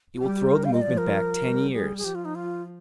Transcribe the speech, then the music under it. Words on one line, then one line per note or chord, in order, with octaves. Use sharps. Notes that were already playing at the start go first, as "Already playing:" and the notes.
It will throw the movement back ten years....
F4
G3 G4
G4
A#4
F5
D#5
F3 D5
A#4
G3
G3 G#4
G#4
F3 G4
F4
D#4
F4